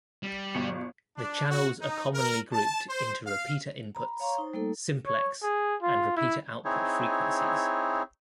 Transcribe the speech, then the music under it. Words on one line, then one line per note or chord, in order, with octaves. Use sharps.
The channels are commonly grouped into repeater inputs, simplex, and repeater output frequencies.
G3
G1 B2 C#7
D4
F#4
D#4
A#4
A5
C5
F5
A#5 B5
C#5 F5 A#5 C6 C#6
D#4 C5
G3 A3 A#3 D#4 A4
C#5
G#4
F4
E4
C4 D#4 E4 G#4 C#5